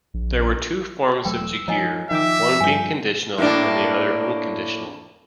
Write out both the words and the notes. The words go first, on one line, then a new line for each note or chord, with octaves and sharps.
There were two forms of "jagir", one being conditional and the other unconditional.
A#1
E1 F#3 A3 G5 E6
F3 D#4 C#5 D#5 G#5
D#3 F3 E5 G5 D6
G2 G#5 G6
A2 A#3 D4